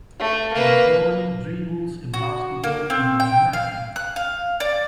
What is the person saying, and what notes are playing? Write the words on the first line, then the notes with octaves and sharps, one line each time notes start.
A boy dribbles a basketball in the gymnasium.
A3
A#3 B4
F#4
A#3
C4
G5
F5
F#6
F5
D5